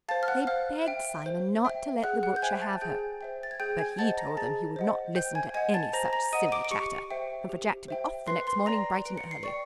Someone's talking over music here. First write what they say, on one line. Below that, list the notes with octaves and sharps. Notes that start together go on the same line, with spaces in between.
They begged Simon not to let the butcher have her, but he told them he would not listen to any such silly chatter and for Jack to be off the next morning bright and early.
C5 F5 A5 A6
F6
F#5 F#6
C5 F5 F6
E5 G5
C5
E5 G5
G#4 F#5 F#6
F#5 F#6
G6
C5 E5 G5 G#5 G#6
A5 A6
G#4 G5 G6
C5 E5 G5
A6
G#6
G#4 G5 G6
G#5 G#6
C5 D#5 F#5 A5 A6
A#5 A#6
G#4 A5 A6
C5 D#5 F#5
C5 G5 G6
G#5 G#6
D#5 F#5 G#5 G#6
A5 A6
C5 A#5 A#6
A#5 A#6
D#5 F#5 D#6 D#7
D6 D7
D7
G4 C#6 C#7
C5 E5 G5
G4
C5 E5 G5
B4 C6 C7
C6 C7
D5 G5 A#5 A#6
B4 D7
C#7
C7
D5 G5 C#6 C#7